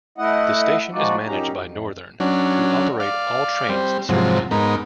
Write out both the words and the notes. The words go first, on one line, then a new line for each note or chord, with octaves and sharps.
The station is managed by Northern, who operate all trains serving it.
A3 E4 D#5 F#5
F3 G#3 D#4 F4 F#4 D5
A#2 F#3 C#4 D#4 G4 A#5
F2
F#3 C#4 D4
D5 F5
G3 C4
G#2 C3 F3 F#3
G#2 B3 D#4 A#4